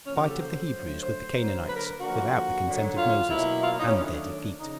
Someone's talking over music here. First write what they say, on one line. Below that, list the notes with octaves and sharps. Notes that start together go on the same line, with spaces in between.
Fight Of The Hebrews With The Canaanites Without The Consent Of Moses; And Their Defeat.
C#3 F3 A#3 C#4
F#4
G4
A4
C5
D3 F#3 A3
C5
D3 F#3 A#3
B4
A#4
D3 F3 A#3 F#4
D3 F#3 A#3
F4
B2 F#3 A#3 E4
F4
D#4
C#4
D#3 F#3 A3 D4
C#3 F3 D#4